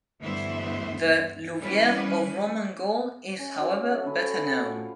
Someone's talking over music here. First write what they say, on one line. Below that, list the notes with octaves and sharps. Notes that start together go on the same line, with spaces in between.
The Louviers of Roman Gaul is, however, better known.
D2 G2 E3 B3 C5 E5
E3 G3 C#4 B4
C#4
F#3
E5
A4
B4
B4
F#4
F5
F3